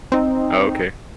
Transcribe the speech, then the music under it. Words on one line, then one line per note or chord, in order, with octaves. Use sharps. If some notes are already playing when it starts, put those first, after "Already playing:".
Oh, okay.
C4 D#4